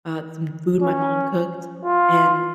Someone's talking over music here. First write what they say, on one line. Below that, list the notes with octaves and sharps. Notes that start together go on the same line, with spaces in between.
uh, some food my mom cooked. And
C#4
F4